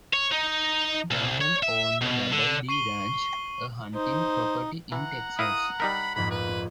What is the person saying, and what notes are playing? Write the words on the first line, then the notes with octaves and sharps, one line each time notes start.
Duncan owned the Double D Ranch, a hunting property in Texas.
C#5
D#4
C2
C#5
E5
B2
D3
C#6 C7 D#7 F#7 G7
D#4 C5
E3 F#5 A#5
E4 A#4 F5 D#6
G3 D#4 A#4 B5 C7
A#1 F2 G#2 B5
B4